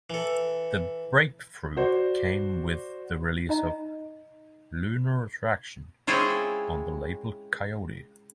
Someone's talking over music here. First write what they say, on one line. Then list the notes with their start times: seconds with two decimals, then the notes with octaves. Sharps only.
The breakthrough came with the release 'Lunar Attraction' on the label Koyote.
0.10 E3 A4
1.77 F#4 C5 D5
3.49 D#4 D#5 A#5
6.07 G#3 C4 C#4 E4 F4